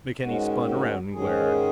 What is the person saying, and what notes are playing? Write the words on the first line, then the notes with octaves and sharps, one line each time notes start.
McKenny spun around and glared.
G#2 D#3 G#3 C#4 F#4
F#4
G#2 D#3 G#3 C#4 G#4